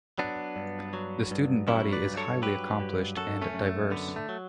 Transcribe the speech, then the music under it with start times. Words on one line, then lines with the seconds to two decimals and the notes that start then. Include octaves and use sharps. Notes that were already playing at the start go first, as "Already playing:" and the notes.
The student body is highly accomplished and diverse.
0.19 F#3 B3 D4
0.56 G2
0.93 F#3
1.31 G2
1.68 F#3 C#4 E4
1.93 B4 D5
2.06 G2
2.17 A4 C#5
2.42 F#3 G4 B4
2.80 G2
3.17 F#2 F#4 A4
3.42 A3 C#4
3.54 F#2
3.66 A3
3.91 D3 B3
4.16 A3
4.29 F#3